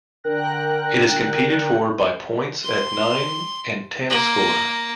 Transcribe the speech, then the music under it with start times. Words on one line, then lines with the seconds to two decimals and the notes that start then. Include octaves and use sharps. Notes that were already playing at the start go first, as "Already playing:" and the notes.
It is competed for "by points at nine and ten score".
0.24 D3 A#4 G5 F#6 A#6
2.65 C6
4.10 A#3